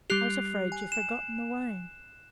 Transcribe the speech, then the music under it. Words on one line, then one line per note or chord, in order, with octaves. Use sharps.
I was afraid you'd forgotten the way.'
G3 G4 F#6 C7 F7
G#5
E7